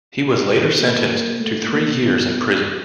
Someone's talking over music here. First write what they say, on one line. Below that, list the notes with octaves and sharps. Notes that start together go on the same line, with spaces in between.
He was later sentenced to three years in prison.
A#3
A3
A#3
B3